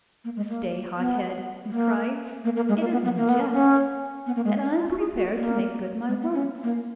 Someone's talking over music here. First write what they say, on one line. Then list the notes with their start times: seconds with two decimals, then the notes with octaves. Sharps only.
'Stay, hothead!' he cried; 'it is no jest, and I am prepared to make good my words.'
0.24 A#3
0.36 G#3
0.49 A#3
0.98 B3
1.71 A#3
2.44 A#3
2.56 A#3
2.69 G#3
2.80 A#3
2.92 B3
3.04 B3
3.17 A#3
3.29 B3
3.41 A#3
3.53 C#4
4.26 B3
4.36 A#3
4.45 G#3
4.63 C#4
4.73 D#4
4.81 F4
4.90 F#4
4.99 G#4
5.17 F#4
5.35 A#3
6.08 G#3
6.21 B3
6.34 C#4
6.63 A#3